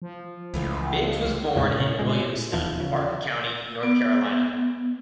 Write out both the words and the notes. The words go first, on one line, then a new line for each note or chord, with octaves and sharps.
Biggs was born in Williamston, Martin County, North Carolina.
F3
C#2 E3 A3 F4
E2 A2 C3 G#3
A#2 C#3
A#2 C#3 G#3
A2
E1 D#2 E3 F3
C#3
B3